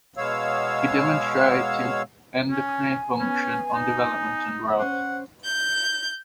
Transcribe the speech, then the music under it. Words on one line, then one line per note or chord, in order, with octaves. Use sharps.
He demonstrated endocrine function on development and growth.
B2 G#3 B3 C#5 F5 E6
C#4 G#5
B3 C#4
D#4
C#4 C5 F#5
G6